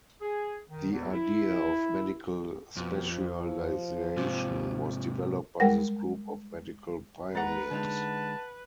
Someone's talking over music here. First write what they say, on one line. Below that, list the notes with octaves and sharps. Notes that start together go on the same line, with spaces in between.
The idea of medical specialization was developed by this group of medical pioneers.
G#4
D#3
E2
E4
F2 B2
F3
G#2 C3
G3 G#3 A#4 F#5 G5 A#6
G#3 B4 F#5 A#5 A6
D3 G#3 D#4 A5